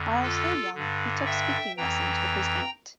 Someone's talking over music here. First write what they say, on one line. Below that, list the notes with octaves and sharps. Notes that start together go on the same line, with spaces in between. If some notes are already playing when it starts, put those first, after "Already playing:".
While still young, he took speaking lessons with his aunt.
Already playing: F2 D3
F4 A4
G2 D3
E5 G5
F2 E3 G5 A#5